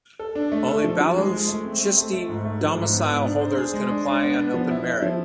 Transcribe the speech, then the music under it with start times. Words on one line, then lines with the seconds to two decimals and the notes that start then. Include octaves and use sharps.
Only Balochistan Domicile holders can apply on open merit.
0.19 A4
0.35 D4
0.52 A3
0.68 A4
0.84 F3
1.01 F3
1.16 G#3
1.32 G#3
1.49 A3
1.65 C4
1.80 C4
1.97 A3
2.13 A3
2.29 G#2
2.45 A3
2.61 F3
2.77 G#2
2.93 B3
3.10 G#2
3.26 D4
3.41 C5
3.58 G#4
3.74 G#3
3.90 D4
4.06 D4
4.22 B3
4.38 B3
4.54 F3
4.71 E4
4.87 E4
5.02 F3